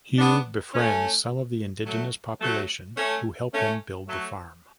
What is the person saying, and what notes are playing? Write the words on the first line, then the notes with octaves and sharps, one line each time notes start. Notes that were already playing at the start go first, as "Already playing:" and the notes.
Huw befriends some of the indigenous population who help him build the farm.
B3 D4
A3 C#4
F#3 A3
F#3 A3
A3 C#4
A3 C#4
F#3 A3